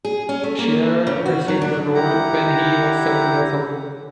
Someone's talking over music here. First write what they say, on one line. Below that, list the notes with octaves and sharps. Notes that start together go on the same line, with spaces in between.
Shearer received the role when he was seven years old.
G#4
C#4
A3
A#3
C#3
F#4
F#3
D4
E4 G4 F#5 A#5